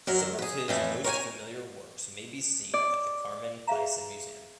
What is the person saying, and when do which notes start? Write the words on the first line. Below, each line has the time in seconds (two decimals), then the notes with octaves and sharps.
Some of his most familiar works may be seen at the Carmen Thyssen Museum.
0.07 F#2 F#3 A#4
0.39 G#4 B4
0.68 F2 A2 E3 A4
1.04 A#4 C#5 G5 G#5
2.74 D5
3.67 G#4 E5 F5 A#5